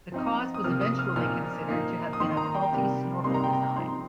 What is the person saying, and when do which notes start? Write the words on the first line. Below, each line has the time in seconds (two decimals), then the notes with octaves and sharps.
The cause was eventually considered to have been a faulty snorkel design.
0.12 F3 C4 D#4
0.54 D#6
0.64 C3 F3 A#3 F6
0.81 D#6
0.99 F6
1.16 A#2 F3 D#4 F6
1.69 F3 A#3 D#4
2.13 D#6
2.20 D#3 A#3 D#4 C6
2.37 A#5
2.55 G5
2.72 C3 G3 A#3
3.24 C3 G3 A#3 D#4 C6
3.34 A#5
3.44 G5
3.53 A#5
3.76 F3 C4 D#4 C6